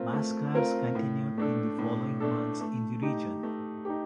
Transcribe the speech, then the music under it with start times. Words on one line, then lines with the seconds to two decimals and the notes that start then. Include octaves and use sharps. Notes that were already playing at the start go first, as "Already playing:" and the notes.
Massacres continued in the following months in the region.
Already playing: A3 C4 F4 A#4
0.13 A3
0.55 C4 F4 A#4
0.95 A2
1.38 A3 D4 A4
1.79 A2
2.20 A3 D4 A4
2.61 A3
3.02 D#4 G4
3.43 A3
3.85 D#4 G4